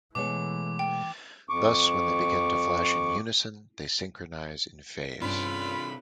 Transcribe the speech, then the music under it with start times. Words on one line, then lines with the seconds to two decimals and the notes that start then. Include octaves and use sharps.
Thus, when they begin to flash in unison, they synchronize in phase.
0.15 B2 E3 G#3 A3 C#5 D6
0.79 G5
1.49 F2 C#6 D6
5.22 G2 C3 C#4 D4 F4 B5